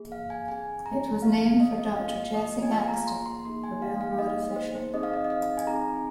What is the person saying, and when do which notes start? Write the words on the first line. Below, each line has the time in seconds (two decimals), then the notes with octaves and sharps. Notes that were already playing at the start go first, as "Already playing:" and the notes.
It was named for Doctor Jesse Axtell, a railroad official.
Already playing: A#3 G#4
0.12 F5
0.30 G#5
0.48 C4 G#4 G#5
0.86 A#5
1.22 G#4 F5
1.27 C4
1.41 F5
1.60 D#5
1.78 D#5
1.96 A#3 F4 G#4 F5
2.34 D#5
2.62 G#5
2.70 A#3 F4 G#4 F5
2.89 A#5
3.07 C6
3.26 C6
3.45 A#3 D#4 G#4 C6
3.64 G#5
3.82 F5
4.01 F5
4.19 A#3 D#4 G#4 D#5
4.56 C5
4.75 C5
4.93 C4 D#4 G#4 D#5
5.03 F5
5.14 D#5
5.25 D#5
5.30 F5
5.57 G#5
5.67 C4 D#4 G#4 A#5